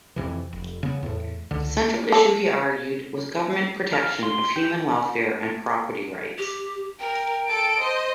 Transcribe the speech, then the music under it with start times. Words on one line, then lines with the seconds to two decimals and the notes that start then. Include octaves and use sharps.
The central issue he argued was government protection of human welfare and property rights.
0.16 F2 C3 E3
0.53 F1
0.83 C#3 B3
1.03 E2 A2
1.51 C#2 D3
2.12 A4
3.93 F5
4.23 C6
4.56 G4
6.38 G4
7.00 A#4 G5
7.46 A4 A5 D7
7.77 C5 D#5